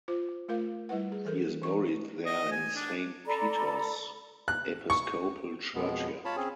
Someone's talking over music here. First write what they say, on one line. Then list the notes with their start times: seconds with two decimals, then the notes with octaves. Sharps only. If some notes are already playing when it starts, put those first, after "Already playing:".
She is buried there in Saint Peter's Episcopal Church yard.
0.08 F4 C5
0.48 A3 F4 A#4 F5
0.89 G3 E4 B4 F#5
1.12 G#4
1.25 E3 A4 A#4
1.62 E3 C#6
2.26 D#5
2.52 G#5
2.75 D4
3.26 A4 D5 A#5 B5
4.48 F#6
4.90 C#6
5.75 F2 B2 G#3 B3
6.25 F4 C#5 A5 B5
6.36 C4 C#4 G#4